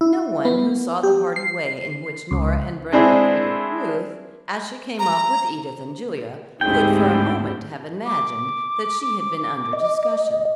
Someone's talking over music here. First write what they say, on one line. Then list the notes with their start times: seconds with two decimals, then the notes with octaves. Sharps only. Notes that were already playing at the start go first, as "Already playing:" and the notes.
No one who saw the hearty way in which Nora and Brenda greeted Ruth, as she came up with Edith and Julia, could for a moment have imagined that she had been under discussion.
0.01 E4
0.45 B3
1.03 G4
1.36 C7
2.31 C#2
2.93 G#3 C4 D4 E4 G#4
4.99 A#5
6.61 D2 G#2 C4 D#4 E4 G4 G#4 G5
8.06 D6
9.73 D#5